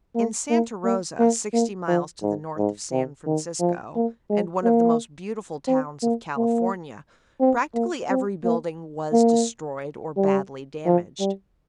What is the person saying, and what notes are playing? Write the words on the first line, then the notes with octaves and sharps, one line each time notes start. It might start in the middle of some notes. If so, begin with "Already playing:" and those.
In Santa Rosa, sixty miles to the north of San Francisco, and one of the most beautiful towns of California, practically every building was destroyed or badly damaged.
A#3
A#3
A#3
A#3
A#3
F3
G#2
G#2
C3
D#3
F3
A#3
G#3
A#3
C4
A#3
A#3
C4
A#3
C4
A#3
A#3
G3
F3
G3